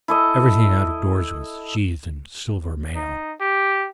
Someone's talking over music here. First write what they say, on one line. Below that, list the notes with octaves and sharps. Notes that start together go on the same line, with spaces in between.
Everything out-of-doors was sheathed in silver mail.
E4 A4 D#5
D#4
G4